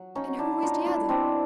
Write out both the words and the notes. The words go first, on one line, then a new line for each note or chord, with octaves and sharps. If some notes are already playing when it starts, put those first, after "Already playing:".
"And who is the other?"
Already playing: F#3
C#4 D#4
F#3
D4 E4
B2 D#4 F4
D4 E4
F#3
C4 D4